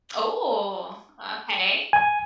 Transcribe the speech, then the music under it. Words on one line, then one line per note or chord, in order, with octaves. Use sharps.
Ooh, okay.
G#5